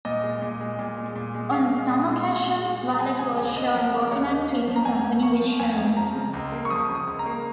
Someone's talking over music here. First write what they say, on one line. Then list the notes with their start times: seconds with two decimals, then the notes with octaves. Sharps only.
On some occasions, Violet was shown walking and keeping company with Shermy.
0.05 A#2 D#5
0.23 G#3
0.42 A#2
0.60 G#3
0.79 A#2
0.97 G#3
1.16 A#2
1.35 G#3
1.52 A#2 F5
1.72 G#3
1.90 A#2
2.08 G#3
2.27 A#2
2.46 G#3
2.64 A#2
2.82 G#3
2.94 A#5
3.01 F3 G#5
3.19 C#3 G#5
3.37 D#2 G#5
3.56 D#2 D#5
3.74 F3 A#4
3.93 C#3 A#4
4.07 A#4
4.11 D#2 C#5
4.30 D#2 D#5
4.48 A#3 F5
4.67 F3
4.76 A#5
4.85 F2 G#5
5.04 F2
5.23 A#3 C#6
5.41 F3
5.59 F2 G#5
5.78 F2
5.96 F3 A#5
6.15 C#3
6.34 C#2
6.52 A#3
6.65 C#6
6.70 F3 D#6
6.89 C#3
6.95 D#6
7.07 C#2
7.19 A#5
7.26 A#3